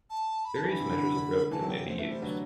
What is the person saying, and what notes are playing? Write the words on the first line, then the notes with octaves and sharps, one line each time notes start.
Various measures of revenue may be used.
A5
B5
A5
E3
D3 B5
C3
D3
C3
D3
E3 A5
F#3
C3 E3 G5
C5
A3 B4
G3 C5
D3 F#3 B4